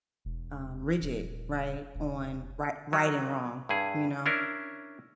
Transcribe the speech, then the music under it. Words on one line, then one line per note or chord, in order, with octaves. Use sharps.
um, rigid, right? On, rig right and wrong, you know?
E1
D#1
E1
F#3
G2 E4 G#4
C#4 D4 E4 A#4